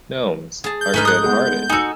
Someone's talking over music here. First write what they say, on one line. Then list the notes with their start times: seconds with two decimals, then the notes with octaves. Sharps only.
Gnomes are good-hearted.
0.64 G#4 A5
0.81 G6
0.94 G#2 A3 D#4 G#4 B4 F6
1.05 D#6 F#6
1.24 G#3 B3
1.70 D#4 F#4 G#5 E6